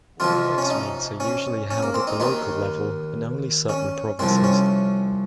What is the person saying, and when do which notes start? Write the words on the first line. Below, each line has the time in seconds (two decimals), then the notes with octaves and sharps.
All-points meets are usually held at the local level in only certain provinces.
0.20 F2 C3 F3 F4
0.58 C#4
0.70 D#4
1.20 C#4
1.71 C#4
1.83 A#3
1.94 C4
2.07 D#4
2.20 D#2 D#3 D#4
3.69 C#4
4.19 C2 C3 F3 C4
4.44 C#4